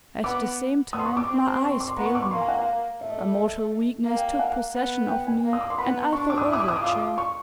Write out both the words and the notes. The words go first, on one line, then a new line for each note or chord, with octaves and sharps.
At the same time my eyes failed me, a mortal weakness took possession of me and I fell over a chair.
B3 D6
B3 D#6
C6
C#6
D6
C4
C#6
C6
D6
C6
B3 A#5
C#6
D6
C#6
A#3 C6
G#5
F#5
F5
A3 E5
D#5
D5
D#5
A#3
G5
F5
F#5
B3
G5
G#5
A#3
D#6
D6
C6
B3 B5
D4 C#6
D6
D#6
E4 D6
D#6
D6
D#6
D6
F4 D#6
D6
C#6